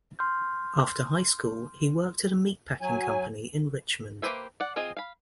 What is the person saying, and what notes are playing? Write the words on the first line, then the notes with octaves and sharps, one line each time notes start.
After high school, he worked at a meat packing company in Richmond.
C6 F6 G6
F#3 G#5
A#3 G4 B4 C5 E5
D5 F#5
C4 F4 G#4 C5 D#5
F5 B5